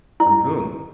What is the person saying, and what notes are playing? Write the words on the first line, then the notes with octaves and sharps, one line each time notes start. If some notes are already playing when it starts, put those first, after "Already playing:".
From whom?
E4